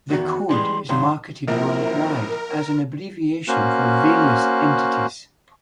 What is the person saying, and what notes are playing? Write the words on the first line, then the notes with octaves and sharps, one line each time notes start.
The code is marketed worldwide as an abbreviation for various entities.
E2 D#3 F#4
E3 G3 G#3 C6
G2 D#3 F#3 C6
A#1 F#2 C4 E4 A#4
A#3 C#4 F#4 C5 F#6